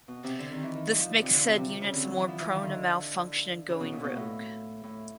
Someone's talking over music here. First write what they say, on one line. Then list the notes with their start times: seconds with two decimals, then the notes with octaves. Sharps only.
This makes said units more prone to malfunction and going rogue.
0.08 B2
0.24 C3
0.39 D3
0.52 D#3
0.63 E3
0.75 D#3
0.87 F3
0.98 F3
1.10 D3
1.21 C3
1.33 D3
1.46 C3
1.57 C3
1.69 C3
1.81 C#3
1.92 D3
2.04 F#3
2.16 E3
2.28 F3
2.40 E3
2.52 D#3
2.63 D3
3.69 C#3
3.80 B2
3.93 A#2
4.04 B2
4.16 A2
4.84 A2